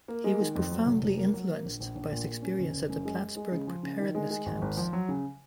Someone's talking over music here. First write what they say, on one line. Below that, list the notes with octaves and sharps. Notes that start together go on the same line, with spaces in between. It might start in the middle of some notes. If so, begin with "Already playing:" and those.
He was profoundly influenced by his experience at the Plattsburg Preparedness camps.
A#3
G#3
D#3
F2
F#3
F1
F1
A#3
F#3
A#3
A#1
A#1
A#1
A#2
A#2
C#4
F#1
F#1
F#2
G#3
G#3
G#3
C#3
F3
C#3
D#3
G#3
G#3
G#1
G#1
F3
F#3
C#3